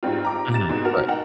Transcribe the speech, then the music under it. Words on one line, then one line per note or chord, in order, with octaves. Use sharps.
Mhm. Right.
G#2 G3 C4 F4
A#5 D6
C3 A6 E7
G#2 B2
F#4 A#4
D#4 F#5 G5